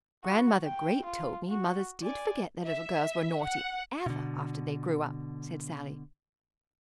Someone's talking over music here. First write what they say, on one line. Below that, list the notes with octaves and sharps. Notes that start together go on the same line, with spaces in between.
"Grandmother Great told me mothers did forget their little girls were naughty ever, after they grew up," said Sallie.
F#4
G5
F4
F#4
D5 G#5
E5
F#5
B2 D3